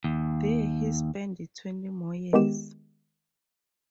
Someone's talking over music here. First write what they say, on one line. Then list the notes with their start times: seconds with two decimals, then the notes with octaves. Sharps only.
There he spent twenty more years.
0.04 D#2
2.33 D#3 G#3 B3 G4 E7